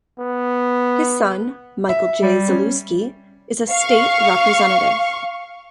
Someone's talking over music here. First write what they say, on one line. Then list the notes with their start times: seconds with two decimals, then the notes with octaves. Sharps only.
His son, Michael J. Zalewski, is a state representative.
0.19 B3
1.89 E5
2.22 G3
2.48 C#4
3.69 F5 C#6